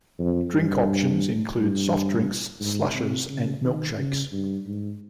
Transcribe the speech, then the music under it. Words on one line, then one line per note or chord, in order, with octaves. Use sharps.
Drink options include soft drinks, slushes, and milkshakes.
F2
G2
G2
G#2
C3
C#3
D#3
C#3
G2
G#2